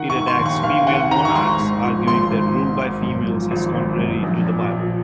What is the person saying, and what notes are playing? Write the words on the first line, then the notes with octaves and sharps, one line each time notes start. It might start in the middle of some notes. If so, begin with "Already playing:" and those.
It attacks female monarchs, arguing that rule by females is contrary to the Bible.
Already playing: D#3 F#5
C#6
D#3
C6
D#2
C#6
D#2 F5
D#3 F#5
D#3 A#5
C#6
G#1 C6
G#2
F3
G#1 C6
G#1
G#2
G#1
F#2
F3
G#1
G#1
F#2
A#1
A#2
F3